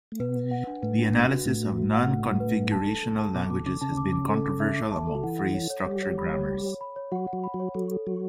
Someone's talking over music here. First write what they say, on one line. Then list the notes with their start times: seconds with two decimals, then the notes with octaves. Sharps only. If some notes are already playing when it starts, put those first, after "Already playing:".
The analysis of non-configurational languages has been controversial among phrase structure grammars.
0.12 A3
0.20 B2 B3 B4
0.36 B4
0.51 F#5
0.67 D4
0.82 A2 A3 B4
0.99 D4
1.14 D4
1.30 F#4
1.45 A2 A3 F#4
1.61 F#4
1.77 F#4
1.93 F#5
2.09 D4
2.25 F#5
2.40 B4
2.56 D4
2.72 A5
2.87 A4
3.03 A4
3.19 A5
3.34 B2 B3 D6
3.50 B2 B3 D6
3.66 C#3 C#4 D6
3.81 C#3 C#4 A5
3.97 D6
4.13 D6
4.29 A4
4.45 D6
4.60 E5
4.76 D6
4.92 A5
5.07 A4
5.15 F#4
5.23 E3 E4 F#5
5.39 F#5
5.54 C#5
5.70 C#5
5.86 G3 G4 C#5
6.03 C#5
6.18 B5
6.33 C#5
6.49 C#5
6.65 C#5
6.81 B5
6.96 C#5
7.12 F#3 F#4 F#5
7.27 F#5
7.33 F#3 F#4
7.44 B5
7.54 F#3 F#4
7.60 C#5
7.75 F#3 F#4 A4
7.91 A4
8.06 F#3 F#4 A4